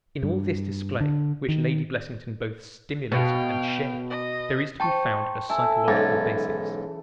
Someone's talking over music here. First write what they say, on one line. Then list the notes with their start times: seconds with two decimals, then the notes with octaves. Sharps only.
In all this display, which Lady Blessington both stimulated and shared, there is to be found a psychological basis.
0.23 G2
1.01 D3
1.48 D#3
3.12 B2 F5 G5
4.10 D#5
4.80 C5 G5 A5 C#6
5.50 A4 E5 G#5
5.88 B1 G#2 C#3 E3 G#6 A6